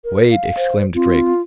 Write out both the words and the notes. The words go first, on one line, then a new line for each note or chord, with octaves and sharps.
"Wait!" exclaimed Drake.
A#4
F5
C5
C4 F4